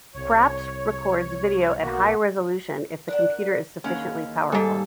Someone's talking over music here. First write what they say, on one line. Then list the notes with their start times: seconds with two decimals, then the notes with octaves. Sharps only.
Fraps records video at high resolution if the computer is sufficiently powerful.
0.15 C2 C#5
1.81 B1 A#3 F#4
3.08 D4 A#4 F#5
3.84 D#2 E3 G#3 C#4 F#5
4.52 G#2 G3 A4 G#5